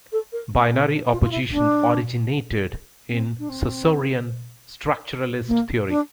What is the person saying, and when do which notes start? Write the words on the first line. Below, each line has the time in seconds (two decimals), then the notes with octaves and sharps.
Binary opposition originated in Saussurean structuralist theory.
0.12 A4
0.32 A#4
0.53 C4
0.72 C4
0.92 D4
1.11 F4
1.22 F4
1.31 E4
1.51 D4
3.10 C4
3.39 D4
3.49 C4
5.47 A#3
5.88 D4